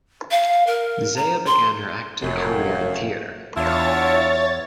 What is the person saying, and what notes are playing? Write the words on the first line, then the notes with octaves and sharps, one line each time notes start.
Zea began her acting career in theatre.
F5
A#4
A#5
C6
F1 F#2
E2 D4 E4 F4 C#5 A6